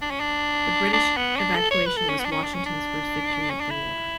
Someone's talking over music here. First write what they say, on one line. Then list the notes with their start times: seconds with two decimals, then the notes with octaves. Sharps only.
The British evacuation was Washington's first victory of the war.
0.01 D4
0.11 C#4
0.20 D4
0.93 D4
1.17 B3
1.36 C#4
1.39 D4
1.55 A4
1.71 C#5
1.86 B4
1.97 A4
2.09 C#4
2.20 B3
2.25 D4
2.32 C#4
2.44 D4
2.55 C#4
2.66 D4
3.50 C#4
3.60 D4
3.70 E4